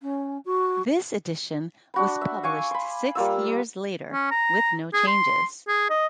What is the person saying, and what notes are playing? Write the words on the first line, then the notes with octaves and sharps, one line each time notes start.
This edition was published six years later with no changes.
C#4
F#4
D4 F#4 B5
E5
F5 G#5 C#6 D6
B5 C6
G3 A#3 F4 E6
C#4
A#5
G#4
C6
G#4
D#5